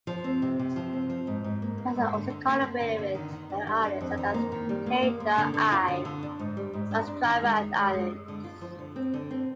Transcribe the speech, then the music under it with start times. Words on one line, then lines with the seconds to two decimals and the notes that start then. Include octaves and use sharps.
He has also collaborated with other artists such as K-the-I???, Busdriver and Islands.
0.07 F3
0.24 C4
0.42 C3
0.59 C3
0.76 F3
0.93 C4
1.10 F3
1.27 G#2
1.44 G#2
1.62 A#3
1.78 A#3
1.95 G#2
2.13 D3
2.30 D3
2.47 A#3
2.63 A#3
2.81 D3
2.98 D3
3.15 D#3
3.32 D#3
3.50 D4
3.67 G3
3.84 D4
4.01 F2
4.17 D#3
4.34 A#3
4.52 D#3
4.69 G3
4.86 A#3
5.02 A#3
5.20 A#3
5.38 D3
5.54 D3
5.72 F4
5.88 D3
6.05 D3
6.23 D4
6.39 G#2
6.57 G3
6.73 G#2
6.91 D4
7.07 D4
7.25 D#3
7.42 G#3
7.60 D#3
7.77 G#3
7.93 G#3
8.10 G#3
8.28 D3
8.44 F4
8.61 F3
8.79 D3
8.96 C4
9.14 D3
9.31 C4